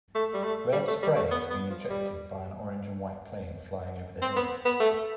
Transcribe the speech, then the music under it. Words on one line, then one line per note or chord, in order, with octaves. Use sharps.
Red spray is being ejected by an orange and white plane flying over the hilltops.
A3
G3
A3
G3
A3
G3
A3
B3
B3
F3
G3
C4
B3
B3
A3